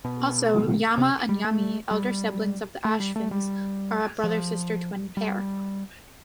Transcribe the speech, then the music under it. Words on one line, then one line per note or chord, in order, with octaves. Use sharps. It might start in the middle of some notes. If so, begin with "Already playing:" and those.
Also, Yama and Yami, elder siblings of the Ashvins, are a brother-sister twin pair.
B2
C3
G3
A3
G3
A3
G3
A3
G3
F3
G3